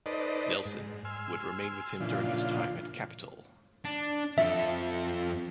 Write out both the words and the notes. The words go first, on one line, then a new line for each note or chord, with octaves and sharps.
Nelson would remain with him during his time at Capitol.
D#4 A4 B4 C5 D5 D#5
G#2
G#5 C6 E6 F6
A#2 C#3 E3 F3 D4 F4
D4
F2 A4 E5